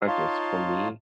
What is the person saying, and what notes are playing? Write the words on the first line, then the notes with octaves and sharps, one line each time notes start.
Okay, so, for me,
D#4 F4 C#5 F5 A5 C6